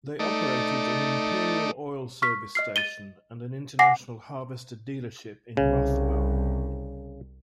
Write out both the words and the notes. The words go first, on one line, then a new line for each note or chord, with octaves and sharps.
They operated an Imperial Oil service station and an International Harvester dealership in Rathwell.
A3 D#4 D5
C#6 F6 B6
D#5 F6 C7
A6 D#7 G7
F#5 G#5 D6 A#6 C7
C2 C#3